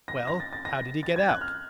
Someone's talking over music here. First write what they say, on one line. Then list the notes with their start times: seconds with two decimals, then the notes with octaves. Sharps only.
"Well, how did he get out?"
0.08 A#6
0.27 A#6
0.40 A6
0.53 A6
0.65 A#6
1.03 A6
1.16 G#6
1.29 F#6
1.41 F6